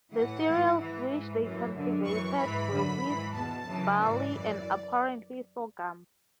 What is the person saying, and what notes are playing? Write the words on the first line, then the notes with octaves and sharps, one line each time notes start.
The cereals which they cultivated were wheat, barley, and apparently sorghum.
A2 E3 F#5
G#2 E3
G#2 E3
G#2 E3
F#2 E3
F#2 D3
F#2 E3 C#6
G#2 E3 B5
F#2 D3
G#2 E3
E2 B2 A5
F#2 C#3 E3
G#2 E3 D5
F#2 E3